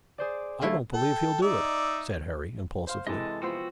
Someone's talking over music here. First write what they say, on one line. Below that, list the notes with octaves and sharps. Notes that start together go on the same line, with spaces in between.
"I don't believe he'll do it," said Harry impulsively.
G#4 C5 D5
D3 A3 E4 D5 F5
A4 G5
D#4 D5 E5
C5 F5 C6
C3 E3 G#3 A4 D#5
F3 B3 F#4 C5 G5 E6